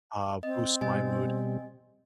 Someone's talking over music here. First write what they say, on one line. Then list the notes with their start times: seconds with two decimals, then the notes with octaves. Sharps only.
uh, boosts my mood,
0.43 C4 D#5
0.81 B2 G3 D#5 G#5